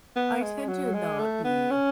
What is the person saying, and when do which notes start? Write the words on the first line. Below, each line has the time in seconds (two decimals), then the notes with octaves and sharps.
I tend to not be
0.16 B3
0.42 G#3
0.68 F#3
0.94 G#3
1.19 A3
1.44 B3
1.71 C#4